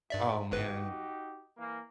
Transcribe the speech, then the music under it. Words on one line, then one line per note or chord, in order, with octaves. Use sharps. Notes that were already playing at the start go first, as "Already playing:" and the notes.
Oh, man.
G#1 G2 D5 E5
G1 G2 D#4 F#4 G4 B4
E3 A#3